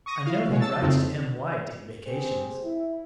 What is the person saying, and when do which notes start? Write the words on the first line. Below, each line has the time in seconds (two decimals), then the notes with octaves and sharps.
I know he writes to Em White in vacations.
0.06 C#6 D#6 A#6
0.25 E4 F5
0.49 B2 G#3 C#5
0.61 A5 E6 A6
0.81 F2 C#3 A3 C4 D#4
2.07 C4 G4 G#4 C5
2.65 E4